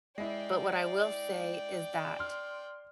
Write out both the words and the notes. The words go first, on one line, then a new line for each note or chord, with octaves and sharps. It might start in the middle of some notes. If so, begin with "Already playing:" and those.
But what I will say is that,
G#3 E4 D5 G5
C6 F6